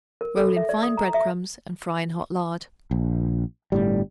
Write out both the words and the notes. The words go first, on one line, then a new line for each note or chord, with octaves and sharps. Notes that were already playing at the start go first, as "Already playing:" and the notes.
Roll in fine bread-crumbs and fry in hot lard.
A#4
A4
E5
D5
D#6
A#5
E5
A#1
G1 A2 G3